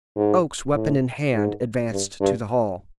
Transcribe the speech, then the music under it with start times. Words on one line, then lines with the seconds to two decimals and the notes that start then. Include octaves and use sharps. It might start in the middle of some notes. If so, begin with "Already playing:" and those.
Oakes, weapon in hand, advanced to the hall.
0.16 G#2
0.74 A2
1.33 G#2
1.92 G2
2.21 G2